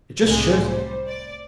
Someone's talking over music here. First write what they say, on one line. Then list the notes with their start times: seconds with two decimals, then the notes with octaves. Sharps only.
It just shows.
0.21 C2 A2 D3 G#3
0.63 G3 C5
1.07 D5